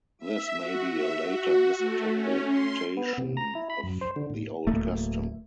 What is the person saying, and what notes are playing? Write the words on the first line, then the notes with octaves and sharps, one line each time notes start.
This may be a later misinterpretation of the old custom.
E5
F#4
E5
F#4
A3
C#4
C6
B3
C3
A#5
E4
B5
F#2
C5
D3
A2
D1 A3 A#3